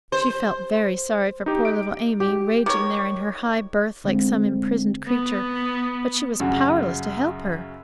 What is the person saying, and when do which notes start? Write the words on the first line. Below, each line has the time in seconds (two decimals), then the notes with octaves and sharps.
She felt very sorry for poor little Amy, raging there in her high berth like some imprisoned creature, but she was powerless to help her.
0.12 C5
1.46 D#4 G4
1.65 D7
2.20 G4
2.66 D#3 G#4 C#5
4.04 D3 G#3 C4
5.08 B3
6.40 F#2 C#3 F#4